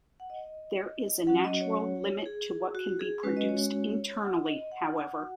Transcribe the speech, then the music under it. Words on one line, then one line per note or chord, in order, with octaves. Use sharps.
There is a natural limit to what can be produced internally, however.
F#5
D#5
F#3 C#4 F#4 F#5
D#5
C#5
G#4
F#4
G#4
G#3 C#4 F#4 B4
D#5
C#5
F#5
D#5
F#5
F#4